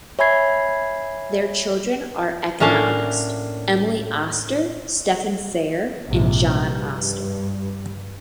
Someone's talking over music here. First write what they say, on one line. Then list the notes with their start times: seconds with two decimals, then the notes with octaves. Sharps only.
Their children are economist Emily Oster, Stephen Fair, and John Oster.
0.19 C#5 E5 G#5 B5 G#6 C7
2.60 A2 A#3 C#4 D4 F5
6.08 A#1 G#2 C3
6.46 G2